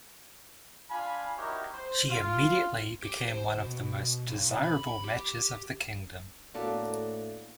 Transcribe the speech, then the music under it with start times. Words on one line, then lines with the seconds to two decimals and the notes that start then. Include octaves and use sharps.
She immediately became one of the most desirable matches of the kingdom.
0.91 D4 F4 F5 G#5 B5
1.38 D#4 E4 F#4 G4 A#4 C#5
1.74 C5
2.10 F4
3.03 G4
3.28 C5
3.58 B2
4.29 B1
4.64 B5
5.04 G4
6.54 A2 A#3 B3 D4 F#4 A4 D5